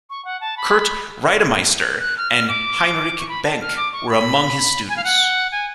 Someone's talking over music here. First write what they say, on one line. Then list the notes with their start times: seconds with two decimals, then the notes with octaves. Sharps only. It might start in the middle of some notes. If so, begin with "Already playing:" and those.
Kurt Reidemeister and Heinrich Behnke were among his students.
0.10 C#6
0.25 F#5
0.41 A5
0.57 B5
2.00 F#6
2.17 F6
2.33 F6
2.49 D6
3.18 C#6
3.29 B5
3.44 A5
3.61 F6
3.77 D6
3.93 C#6
4.09 B5
4.89 G#5
4.97 F5
5.04 F#5
5.52 G#5